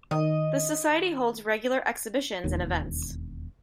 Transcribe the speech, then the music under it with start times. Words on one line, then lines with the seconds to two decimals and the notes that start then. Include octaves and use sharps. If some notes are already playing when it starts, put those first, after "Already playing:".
The society holds regular exhibitions and events.
0.11 D#3 D#5
2.44 E1 D#2